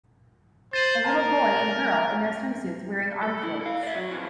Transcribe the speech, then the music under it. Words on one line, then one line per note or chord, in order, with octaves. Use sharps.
A little boy and girl in their swimsuits wearing arm floats.
C5 A6 D#7 F#7
A#4 A5 A#5
A4
E4
A4 F5
D5 E5
F#3
F2 E3